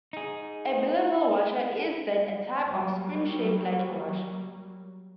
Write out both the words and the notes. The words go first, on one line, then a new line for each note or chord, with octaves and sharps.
A Belleville washer is, then, a type of spring shaped like a washer.
D#4 G#4
F#3 G3 A#3